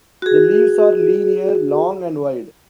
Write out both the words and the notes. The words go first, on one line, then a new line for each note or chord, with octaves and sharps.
The leaves are linear, long and wide.
F#4 G#4